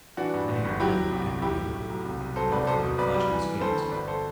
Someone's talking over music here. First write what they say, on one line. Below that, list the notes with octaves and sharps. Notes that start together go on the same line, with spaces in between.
Many are killed every year, both for their flesh and skins.
E3 D4 F#4
G2
G1
G1
F#3 E4 G4
F#3
C2
C2
B1 E4 G4
A2
A2
B1
C2
C2
F#3 A4 C5
C2 B4 D5
B1 A4 C5
B2
B1 B4 D5
G3
E3
E3
D2 A4 C5
D2
G1 B4 D5
A4 C5